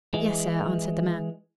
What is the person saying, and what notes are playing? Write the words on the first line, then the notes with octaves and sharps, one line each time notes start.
"Yes, sir," answered the man.
E3 G#3